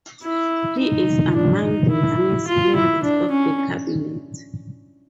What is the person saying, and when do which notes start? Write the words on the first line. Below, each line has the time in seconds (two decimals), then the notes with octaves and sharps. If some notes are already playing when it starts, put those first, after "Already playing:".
He is among the youngest members of the cabinet.
0.23 E4
0.79 D#4
1.35 D4
1.63 D#4
1.91 E4
2.47 F4
2.75 E4
3.03 D4
3.31 C#4